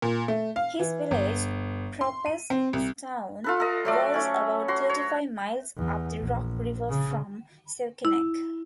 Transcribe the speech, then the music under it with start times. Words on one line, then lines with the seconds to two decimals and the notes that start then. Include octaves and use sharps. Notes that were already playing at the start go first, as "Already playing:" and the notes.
His village, Prophetstown, was about thirty-five miles up the Rock River from Saukenuk.
0.02 A#2
0.28 A3
0.56 F5
0.79 E3
1.11 G1
2.01 C6
2.26 D#7
2.50 C4
2.73 C2
3.44 F4 A4 B4
3.60 A4 D#5
3.85 F#3 A3 D5
4.14 A3 C#4
4.68 F#4 C6
4.89 C#5
5.77 E2
6.19 A#1
6.89 C#3
8.05 E4